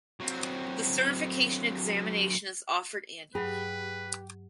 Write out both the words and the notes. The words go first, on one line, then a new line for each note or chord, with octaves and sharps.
The certification examination is offered annually.
F#3 C4
G2 F#3 G4 G#4 B4